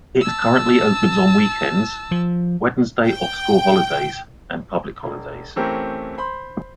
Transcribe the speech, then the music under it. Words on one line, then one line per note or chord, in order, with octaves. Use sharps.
It currently opens on weekends, Wednesday of school holidays, and public holidays.
A5 E6
F3
G5
E1
E3 A3 C4 C#4 G4 A#4
C5 B5 C6